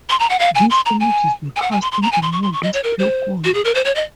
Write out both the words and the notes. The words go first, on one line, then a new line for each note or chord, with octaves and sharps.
These images were cast in a mold of pure gold.
C6
A#5
F#5
F5
G#5
C6
A#5
G#5
G#5
F#5
G#5
C6
C6
A#5
G#5
C6
C#6
C6
C#6
D#5
C#5
A#4
C5
F#4
G#4
A#4
C5
C#5
D#5